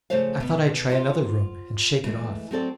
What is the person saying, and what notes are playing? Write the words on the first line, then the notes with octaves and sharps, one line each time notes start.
I thought I'd try another room, and shake it off.
C#3 F3 A3 C5 C#5 F5
B2 B3
F4 F#4 C5 F5 F#5
E3 G#3 A3
F#3 C4 A4 D5